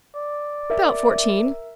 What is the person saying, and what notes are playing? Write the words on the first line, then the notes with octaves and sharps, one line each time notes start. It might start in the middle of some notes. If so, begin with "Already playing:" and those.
"About fourteen."
D5
A#4 E5